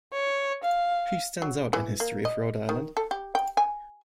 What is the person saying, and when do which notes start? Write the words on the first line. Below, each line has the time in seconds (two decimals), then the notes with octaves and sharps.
She stands out in History of Rhode Island.
0.13 C#5
0.64 F5
1.42 F#3
1.73 E3
2.00 A#3
2.25 D#5
2.69 D#3
2.97 A4
3.11 G4
3.35 G5
3.57 G#5